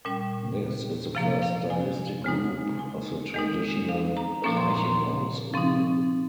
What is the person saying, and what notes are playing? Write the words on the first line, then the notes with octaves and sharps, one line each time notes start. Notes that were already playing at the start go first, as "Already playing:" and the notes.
This is the first stylistic group of the traditional "Reichenau school".
A#2 G3 C#4 G5
C3 F3 A#3 F5
F5
G#5
C#3 G#3 D#4
G#5
D#3 G#3 D#4
F5
A#5
A#2 F3 A#3 C#4 C#6
C6
A#5
C6
F3 C4 D#4 C#6